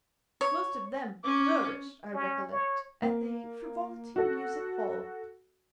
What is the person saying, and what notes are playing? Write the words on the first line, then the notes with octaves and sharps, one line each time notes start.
Most of them flourished, I recollect, at the Frivolity Music Hall.
C#5
C#4 D6
C#4
C#5
A#3
F#4 A4